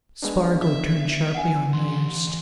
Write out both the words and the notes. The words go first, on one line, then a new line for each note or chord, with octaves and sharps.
Spargo turned sharply on Myerst.
G#3 B3 D4
E5
F#5 G#5
E3 C#4 C6